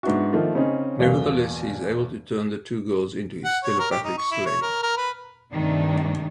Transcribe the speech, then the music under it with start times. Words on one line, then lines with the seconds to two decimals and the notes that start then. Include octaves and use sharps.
Nevertheless, he is able to turn the two girls into his telepathic slaves.
0.03 G#2 B3 D4 E4 F#4
0.33 D#3 F3 A3 A#3 D#4 F4
0.55 C#3 C4 C#4 D#4
0.99 G1 E2 B2 A#3 F5 G7
3.44 F#5
3.64 C#5
3.79 A#4
3.92 G4
4.04 D#4
4.18 C#6
4.31 E4
4.46 C#5
4.62 A#4
4.83 A#4
4.97 B4
5.53 G2 C3 D#3 A3 D4 D#4